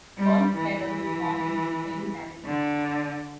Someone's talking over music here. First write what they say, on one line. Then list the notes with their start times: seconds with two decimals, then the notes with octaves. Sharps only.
Paul Scherrer was born in St.Gallen.
0.17 G3
0.55 E3
2.45 D3